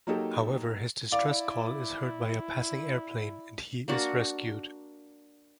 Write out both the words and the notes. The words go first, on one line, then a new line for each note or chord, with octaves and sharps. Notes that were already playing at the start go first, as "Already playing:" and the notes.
However, his distress call is heard by a passing airplane, and he is rescued.
F#3 A#3 D#4 G4 A4
E4 D5 F5 D6
A#3 D4 F#4